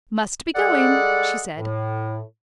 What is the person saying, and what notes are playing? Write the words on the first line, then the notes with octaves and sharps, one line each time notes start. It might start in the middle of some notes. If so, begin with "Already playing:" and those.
"Must be going," she said.
G3 G#3 G#4 A4 D5 F#5
A2